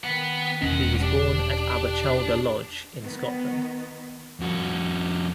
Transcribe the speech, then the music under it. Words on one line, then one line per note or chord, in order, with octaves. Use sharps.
He was born at Aberchalder Lodge in Scotland.
D#3 B3 F#5
E1 G#2 C#4 F#5
D4 G4
D#3 B3
F2 F#4